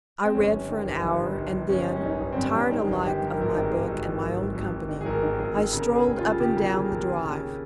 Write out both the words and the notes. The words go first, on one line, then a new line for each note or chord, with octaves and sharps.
I read for an hour, and then, tired alike of my book and my own company, I strolled up and down the drive.
C4
G1 C#4
G1
D#3
G1
G1
G2
G1
G1
G1 C#4
D#3
C#4
G1 D#4
G1
C4
G2 C#4
G2
D#3 D#4
G1
D#3 G4
G2
A#4
G#1 A#4
G#4
D#3
G#1 G#4
G#1
D#3
G#1
G#1
G#1
G#1
D#3
G#4
G#1 A#4
D#3
G#1 G#4
D#3
C#3 A#4
C#3
G#4
D#2
F4
C#3
C#3 G4
C#3 A#4
G#4
C#3
A#4
D#2
C#3 G#4
C#3